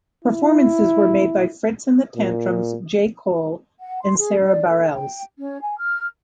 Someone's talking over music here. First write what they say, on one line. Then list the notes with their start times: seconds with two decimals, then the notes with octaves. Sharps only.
Performances were made by: Fitz and The Tantrums, J. Cole, and Sara Bareilles.
0.24 E4
2.16 A#2
3.80 F#5
4.03 C6
4.17 G#4
4.44 D5
4.69 A4
4.93 G5
5.38 C#4
5.60 G#5
5.79 F6